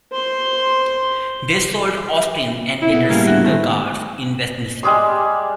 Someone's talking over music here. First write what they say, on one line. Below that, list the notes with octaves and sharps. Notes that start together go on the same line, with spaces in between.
They sold Austin and later Singer cars, in Westminster.
C5 C6
E4
B2 B3
A2 G3 A#3 G#4 F5
F#4
D#3 G#3 A3
G3 G#3 G#4 D6